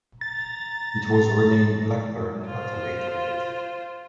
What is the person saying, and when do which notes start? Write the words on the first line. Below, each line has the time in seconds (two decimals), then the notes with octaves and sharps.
It was renamed Blackburn at a later date.
0.21 A#5 A6
2.45 F4 C5